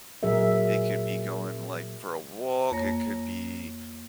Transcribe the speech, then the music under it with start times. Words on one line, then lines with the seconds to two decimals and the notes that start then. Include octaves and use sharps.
it could be going, like, for a walk, it could be
0.23 A#2 F#3 G#4 A#4 E5
2.71 F2 A#3 C#5 A#6